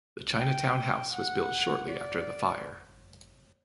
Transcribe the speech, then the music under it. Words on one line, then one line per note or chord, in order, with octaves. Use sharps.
The Chinatown House was built shortly after the fire.
G5
F#5
D5